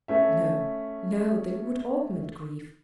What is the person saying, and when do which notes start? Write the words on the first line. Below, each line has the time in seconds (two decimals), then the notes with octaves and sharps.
No, no, they would augment grief.
0.08 A3 C#4 E5